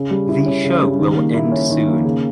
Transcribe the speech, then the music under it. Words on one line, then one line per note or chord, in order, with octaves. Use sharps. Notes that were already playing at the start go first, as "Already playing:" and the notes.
The show will end soon.
Already playing: C#3
G3
E4
C#4
C#3
G3
D#3
A#3
E4
C#4
D#3
A#3
C#3